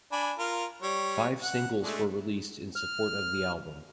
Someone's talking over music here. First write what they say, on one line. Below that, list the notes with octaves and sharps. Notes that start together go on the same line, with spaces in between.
Five singles were released in support of the album.
D4 G#5 B5
F4 A#4
G3 C#5
F#5
G#3 A3 D4
F6